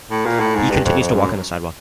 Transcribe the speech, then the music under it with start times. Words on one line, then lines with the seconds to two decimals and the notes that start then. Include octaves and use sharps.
He continues to walk on the sidewalk.
0.10 A2
0.26 A#2
0.40 A2
0.55 G#2
0.70 G2
0.85 F2
1.00 F2
1.14 F#2